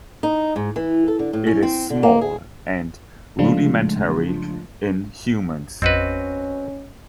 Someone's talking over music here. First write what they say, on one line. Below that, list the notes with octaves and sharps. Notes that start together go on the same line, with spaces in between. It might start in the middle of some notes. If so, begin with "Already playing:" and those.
It is small and rudimentary in humans.
D#4
G#2
E3
A4
D3
A2
C#4
C4
D3
A#3
G#4
C#3 F3 G#3 A3 D4 F4
A1 F2 C4 C#4 F#4 B4 D#5